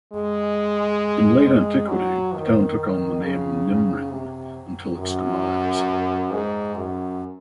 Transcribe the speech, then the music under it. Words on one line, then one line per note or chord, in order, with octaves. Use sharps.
In late antiquity, the town took on the name Nimrin, until its demise.
G#3
G#3
F#3
D#3
C#3
C3
F#2
G#2
F#2